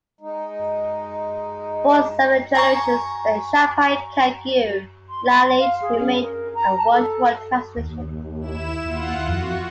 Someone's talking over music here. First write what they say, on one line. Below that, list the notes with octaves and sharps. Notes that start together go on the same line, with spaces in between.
For seven generations, the Shangpa Kagyu lineage remained a one-to-one transmission.
G#3 D#4
G#5 A#5 C#6
C6
C6
F5
G#4
C#4
A#4
A#5
A5
A4
D#2
E4 E7
D#2 F4 F#5
F2 F#4